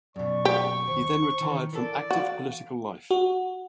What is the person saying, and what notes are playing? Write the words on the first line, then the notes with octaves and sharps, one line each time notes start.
He then retired from active political life.
F#2 B2 D5 C#6
G4
D#2 C5
D#3 E3
E3 A4 A#4 D5
F#4 F5
F#4